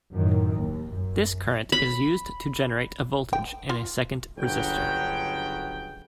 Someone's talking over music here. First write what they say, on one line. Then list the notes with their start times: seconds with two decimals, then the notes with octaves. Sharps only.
This current is used to generate a voltage in a second resistor.
0.13 F#2 A2 D#3 F#3
0.56 D#2
0.92 F#2
1.72 B5
3.33 G5
3.69 F4
4.38 G1 C#3 F#3 D4 G5